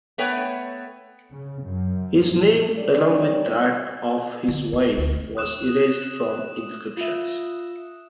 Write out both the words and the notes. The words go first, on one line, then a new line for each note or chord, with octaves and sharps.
His name, along with that of his wife, was erased from inscriptions.
A3 B3 B4 C#5 G5
C#3
F#2
A#2
C3 G3 C#5 D5
D3
E4
D2
D#6 F#6 E7
F4 E5